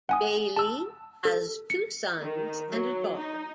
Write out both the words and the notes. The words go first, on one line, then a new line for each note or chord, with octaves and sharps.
Bailey has two sons and a daughter.
F#5 G#5 D#6
A5 E6
A4
C#7
D#3
F#3
D#4